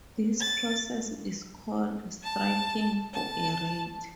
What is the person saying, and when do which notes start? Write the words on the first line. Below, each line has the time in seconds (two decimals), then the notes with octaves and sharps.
This process is called "striking for a rate".
0.41 A6
2.23 A5
3.13 A5